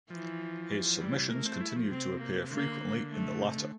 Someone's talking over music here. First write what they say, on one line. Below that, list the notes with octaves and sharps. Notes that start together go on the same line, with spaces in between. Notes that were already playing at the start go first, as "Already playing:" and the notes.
His submissions continue to appear frequently in the latter.
E3 F3
E3 G3
C3
A3 A#3
C4
E4
F3
C3 C4
A#3
D3 A#3
A3
C3
D3